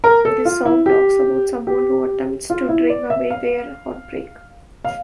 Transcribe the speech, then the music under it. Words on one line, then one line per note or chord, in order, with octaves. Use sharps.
This song talks about someone who attempts to drink away their heartbreak.
A#4
A4
F4
E4
G4
G4
F4
E4
D5
E5
F5
F5